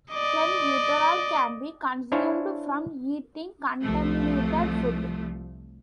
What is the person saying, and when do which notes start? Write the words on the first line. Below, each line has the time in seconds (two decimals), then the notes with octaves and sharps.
Clenbuterol can be consumed from eating contaminated food.
0.12 D5 D#5
2.12 D4 E4 C5 C#5 F5 G#5
3.83 C2 F3 A3